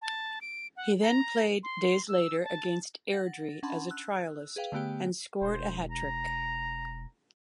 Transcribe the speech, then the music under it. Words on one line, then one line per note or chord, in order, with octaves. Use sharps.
He then played days later against Airdrie as a trialist, and scored a hat-trick.
A5
D7
F#5
A#5
C6
E6
A5
F#5 A6 A#6
C#4 D4 F#5 A5 B5 C6
E6 F#6
G#4 B4 F5 G5
D3 A3 B3 G4 G5
E1 C5
A#5